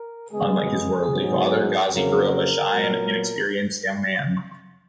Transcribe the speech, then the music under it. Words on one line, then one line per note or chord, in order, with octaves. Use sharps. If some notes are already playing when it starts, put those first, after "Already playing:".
Unlike his worldly father, Ghazi grew up a shy and inexperienced young man.
Already playing: A#4
C#3 G#3 B3 G#4
G#2 F#3 B3
F2 C#3 F#3 A#3 A#4
A#2 F#3 B3